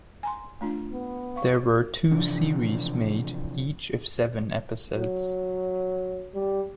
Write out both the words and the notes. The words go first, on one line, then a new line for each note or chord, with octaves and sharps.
There were two series made; each of seven episodes.
G#5 A#5 C6
A3 D4 F4
B3
F5 C#6
C3 E3 F3 D4
F#3
G3